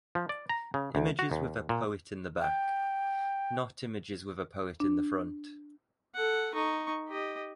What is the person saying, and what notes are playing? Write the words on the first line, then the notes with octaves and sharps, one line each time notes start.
Images with a poet in the back, not images with a poet in the front.
F3
D5
A#5
C#3
D2
F#4
D#2
A#2
G5
D4
A4 F#5
D#4 C#6
G4 D#5